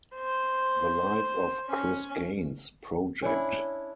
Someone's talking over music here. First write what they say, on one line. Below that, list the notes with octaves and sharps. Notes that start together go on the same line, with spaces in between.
The Life of Chris Gaines project.
C5
C#4
C#4 D4 E4